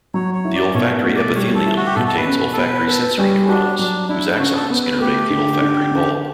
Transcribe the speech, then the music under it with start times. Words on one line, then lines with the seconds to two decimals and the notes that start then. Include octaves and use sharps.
The olfactory epithelium contains olfactory sensory neurons, whose axons innervate the olfactory bulb.
0.14 F#3 C#5
0.35 C#5
0.45 E4
0.55 D5
0.74 B2 C#5
1.05 A3
1.16 D5
1.35 G3 C#5
1.55 A4
1.66 E4
1.77 F#4
1.86 G4
1.96 B2 A4
2.07 A4
2.17 B4
2.27 C#4
2.53 A4
2.57 B3 B4
2.88 A4 B4
3.18 G3 C#4
3.48 D4 F#4
3.79 F#3 D4
4.09 D4 E4
4.39 C#3 F#4
4.55 A4
4.70 B3 B4
4.85 B4
5.00 A3 G4
5.30 D3
5.61 D3
5.91 C#4